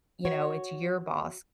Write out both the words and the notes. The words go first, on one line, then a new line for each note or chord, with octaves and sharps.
you know, it's your boss
F#4 C#5